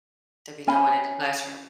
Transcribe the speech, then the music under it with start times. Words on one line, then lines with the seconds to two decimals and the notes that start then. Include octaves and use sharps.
there'll be no one in the classroom.
0.67 C#4 G#5 B5